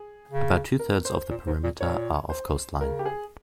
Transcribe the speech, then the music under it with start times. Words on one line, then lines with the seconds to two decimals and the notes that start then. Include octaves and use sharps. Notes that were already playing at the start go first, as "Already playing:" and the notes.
About two thirds of the perimeter are of coastline.
Already playing: G#4
0.30 C#3
0.79 A#4
1.05 C5
1.30 A#2
1.47 G#2
1.63 A#2
1.80 A#2 C#5
2.30 C5
2.80 C#3 A#4
2.99 G4
3.05 G#4